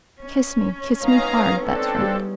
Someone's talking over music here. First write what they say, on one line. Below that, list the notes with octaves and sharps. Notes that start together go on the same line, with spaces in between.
Kiss me, kiss me hard, that's right.
C#4
G#3 B3 D#4 G#4 F5 A#5
C4 D4 A4
G3 G4 F5